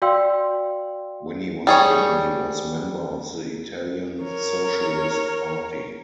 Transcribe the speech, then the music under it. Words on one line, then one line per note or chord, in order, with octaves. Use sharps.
When he was young he was member of the Italian Socialist Party.
F#4 D5 F5 G5 C6 E6
G3 G#4 C#5
A#4 C#5